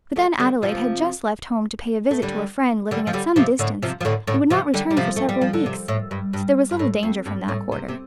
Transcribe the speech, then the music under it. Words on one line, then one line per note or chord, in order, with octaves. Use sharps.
But then Adelaide had just left home to pay a visit to a friend living at some distance, and would not return for several weeks, so there was little danger from that quarter.
F3 A3
D3 G3
C3 F3
A3
D3 G3
D3 G3
F3
D3 G3
C3 F3
A2 D3
C3 F3
F3
A2 D3
A2 D3
C3 F3
D3 G3
G3
C3 F3
A3
G3
F3
D3
C3
A2
G2
G2
G2
A2
F2
G2
A2
C3
C3